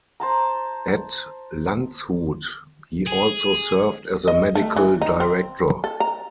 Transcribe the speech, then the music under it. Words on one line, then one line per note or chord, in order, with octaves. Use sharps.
At Landshut, he also served as a medical director.
C5 A5 A#5
G#4
D#5
A3
E3
D#4
C4
A4
A#5